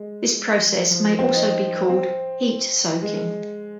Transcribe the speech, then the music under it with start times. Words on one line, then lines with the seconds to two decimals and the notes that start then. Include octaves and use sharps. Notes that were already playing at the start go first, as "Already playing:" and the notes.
This process may also be called heat soaking.
Already playing: G#3
0.91 F3
1.19 C4
1.34 D#4
1.90 C4
3.02 G#3